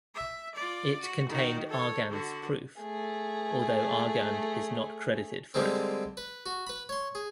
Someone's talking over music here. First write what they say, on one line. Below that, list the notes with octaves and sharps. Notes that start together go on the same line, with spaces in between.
It contained Argand's proof, although Argand is not credited for it.
E5
F4 D5
F#4
D#3 F#4
A4 C#5
D3 F#4
A3 G#4
D3 G3 G#3 A#3 C4
B4
F#4
B4 B5
C#5 C6
G#4